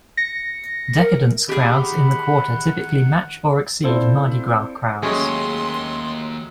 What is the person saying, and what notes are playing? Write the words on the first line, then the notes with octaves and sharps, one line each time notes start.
Decadence crowds in the Quarter typically match or exceed Mardi Gras crowds.
A#6 C#7
A#4
D#3 G4 G#4 F#5 B5
C4 E4 F4 A4 C5 D5
D#2 F#3 G#3 A3 C#4 G#4 C6